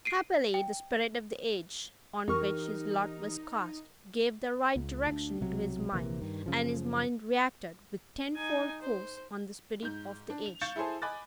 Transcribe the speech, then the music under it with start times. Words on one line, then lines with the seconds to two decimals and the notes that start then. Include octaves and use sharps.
Happily the spirit of the age on which his lot was cast, gave the right direction to his mind; and his mind reacted with tenfold force on the spirit of the age.
0.05 C7 D7 D#7
0.54 G5
2.28 F2 E3 D#4 G4 A#4 C#6 F6
4.76 C#2
5.07 D2 D4
5.40 B1 C3 F#3
5.92 A#1 C3 E3 A#3
6.22 G2 D#3
6.46 F#2 C#3 F3
8.35 D#4 G#5
8.82 C5
9.82 G#2 G6
10.30 D4
10.46 F7
10.61 F5 C#6 G6 A6 C#7 E7
10.76 E4 G#4 A4 C5 G#5
11.02 D#5 G#5 B5 D6 F#6 A6